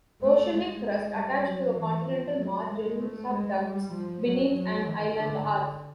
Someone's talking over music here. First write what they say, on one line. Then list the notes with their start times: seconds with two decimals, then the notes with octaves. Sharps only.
Oceanic crust attached to a continental margin subducts beneath an island arc.
0.22 A3
0.53 G#3
0.84 G#3
1.15 G3
1.46 F#3
1.77 E3
2.08 F3
2.39 F#3
2.70 G#3
3.01 A3
3.32 G#3
3.63 G3
3.94 F3
4.25 F#3
4.56 F#3
4.87 D#3
5.18 D3